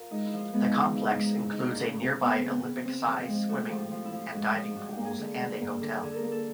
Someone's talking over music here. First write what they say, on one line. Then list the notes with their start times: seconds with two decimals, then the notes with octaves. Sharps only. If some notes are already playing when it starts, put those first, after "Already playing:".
The complex includes a nearby Olympic size swimming and diving pools and a hotel.
Already playing: F4 A#4
0.11 G#3 D#4
0.25 E4
0.33 F3
0.39 F4
0.53 G#3 B3
0.67 D#4
0.75 C#3
0.82 F4
0.96 F3 E4
1.10 D#4
1.17 G#3
1.24 D#4
1.37 C#3 E4
1.52 D#4
1.59 A#3
1.67 D4
1.80 C#3 C#4
2.01 C#3 C4
2.22 C#3 B3
2.37 C4
2.44 C#3
2.51 B3
2.64 C#3 B3
2.85 C#3 C4
3.06 F3 C4
3.22 C4
3.28 G#3
3.35 C4
3.48 A2 F#4
3.63 G4
3.70 F3
3.77 F4
3.91 F3 F4
4.05 E4
4.12 F3
4.20 F4
4.34 G#3 F#4
4.54 F3
4.75 G3 F#4
4.89 G4
4.97 A#3
5.05 G#4
5.18 D3
5.39 G3
5.61 A#3
5.81 D3
6.02 D3 G#4
6.12 A4 A#4
6.23 A#3
6.31 A4